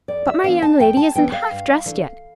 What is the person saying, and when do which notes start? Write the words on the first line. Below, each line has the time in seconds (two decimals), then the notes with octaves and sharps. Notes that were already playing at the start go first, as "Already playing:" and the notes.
But my young lady isn't half dressed yet.
0.08 F2 D5
0.27 E5
0.44 E3 B3 D4 F5
0.62 A5
0.80 F2 G5
0.97 A5
1.15 E3 B3 D4 G5
1.32 F5
1.51 G2
1.86 E3 A3 D4